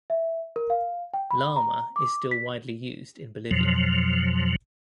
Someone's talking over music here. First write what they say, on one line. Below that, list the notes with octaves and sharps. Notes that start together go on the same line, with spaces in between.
Llama is still widely used in Bolivia.
E5
A#4
F5
G5
B5
A#5
D6
B6
F2 B2 F3 F#3